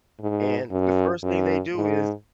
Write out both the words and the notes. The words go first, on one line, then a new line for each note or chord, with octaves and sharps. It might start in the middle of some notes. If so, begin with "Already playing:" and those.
and the first thing they do is
G#2
F#2
F#2
G#2